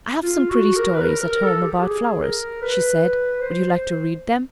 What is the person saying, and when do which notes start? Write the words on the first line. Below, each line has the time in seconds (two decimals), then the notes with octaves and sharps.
"I have some pretty stories at home about flowers," she said; "would you like to read them?"
0.23 F4
0.49 F#4
0.76 A#4
0.94 B4
1.02 A#4
1.22 A#4
1.42 A4
1.62 G4
1.82 G#4
2.22 A#4
2.62 B4
3.41 C5
3.68 C5